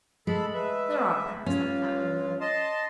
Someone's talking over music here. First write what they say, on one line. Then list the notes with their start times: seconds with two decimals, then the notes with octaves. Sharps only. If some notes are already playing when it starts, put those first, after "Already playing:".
There are parents like that, you know.
0.27 G#3 A4 B5
0.54 B4 E5
1.46 G2 C#4 F4
2.41 D#5 A5 C6